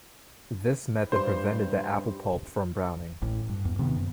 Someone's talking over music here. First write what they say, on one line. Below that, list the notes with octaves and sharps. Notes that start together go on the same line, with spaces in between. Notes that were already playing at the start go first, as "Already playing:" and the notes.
This method prevented the apple pulp from browning.
G2 C5 C6
A1 A2
G2
E2
C3 D#3 A#3 B3
F#2